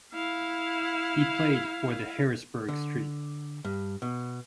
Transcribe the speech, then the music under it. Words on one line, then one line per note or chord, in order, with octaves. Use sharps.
He played for the Harrisburg–St.
E4 F5
D3
G2
B2